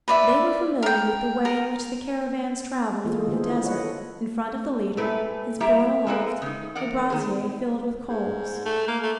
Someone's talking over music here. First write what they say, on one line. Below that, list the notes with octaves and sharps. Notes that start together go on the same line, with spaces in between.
They were familiar with the way in which the caravans travel through the desert: in front of the leader is borne aloft a brazier filled with coals.
B4 D5 E5
A#4 G5
A#4
E3 G#3 A#3 F4 G#4 A4
D3 D#3 B3 F4 G#4 C5
E4
B4 C#5 D#5 F#5
A4
A#2 A3 E4 B4
G3 E4 G4 E5 A#5
A#3 C4 E4 A4 B4
C#3 D#4
E2 A#4 D5 F#5
D#3 G#4
G#2
A3
A#3
A3